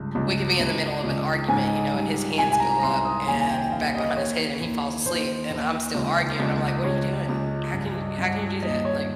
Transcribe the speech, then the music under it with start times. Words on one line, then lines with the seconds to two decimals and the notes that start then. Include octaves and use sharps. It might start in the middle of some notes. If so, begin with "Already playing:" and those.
we could be in the middle of an argument, you know, and his hands go up and back behind his head and he falls asleep and I'm still arguing. I'm like, "What are you doing? How can you how can you do that?" Like,
Already playing: C#2 G2
0.15 C#2
0.60 C#2
1.04 C#2
1.48 G#2 G#5
1.93 G3
2.38 C2 G#5
2.52 G#5
2.60 A#5
2.79 A#5
2.83 C2 C6
3.05 D#6
3.27 D#2 G#5
3.40 G#5
3.50 G5
3.72 D#2 F5
3.95 D#5
4.16 D#2 C#5
4.61 D#2
5.05 D#2 C5
5.50 D#2
5.95 C#2
6.40 C#2
6.84 C#2 C#5
7.29 C#2
7.73 G2
8.18 G2
8.63 D#2 D#5
8.85 C#5